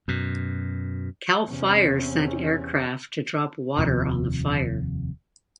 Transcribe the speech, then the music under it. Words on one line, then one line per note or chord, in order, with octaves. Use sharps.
Cal Fire sent aircraft to drop water on the fire.
F#2 B2
E2 C3 C4 C#4
F1 D#2 C3 F3